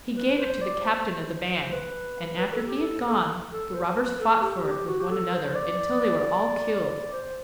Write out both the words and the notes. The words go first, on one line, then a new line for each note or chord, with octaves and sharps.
He gave it to the captain of the band, and after he had gone the robbers fought for it with one another until they were all killed.
B4
C5
D5
C5
C5
B4
B4
A4
G4
A4
A4
A4
C5
B4
A4
G4
G4
F#4
G4
A4
C5
D5
C5